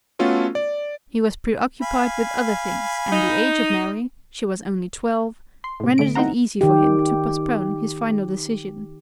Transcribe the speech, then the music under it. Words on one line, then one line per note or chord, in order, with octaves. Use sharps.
He was preoccupied with other things, and the age of Mary--she was only twelve--rendered it easy for him to postpone his final decision.
A3 B3 C#4 F4 F#4 A4
D5
F5 G#5 B5
D#4
C6
A2 C3
D3 A3 D7
B3 C4 D#4 E4 F#5 A#5
D#3 G4